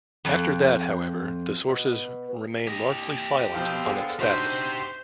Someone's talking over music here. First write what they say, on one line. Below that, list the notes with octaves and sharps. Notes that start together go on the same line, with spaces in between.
After that, however, the sources remain largely silent on its status.
F2
B2
G4 D#5
B2 F3 C4 F5
D3 F3 B3 G#4 G5
D4 D#4 F#4 G4 C5 E5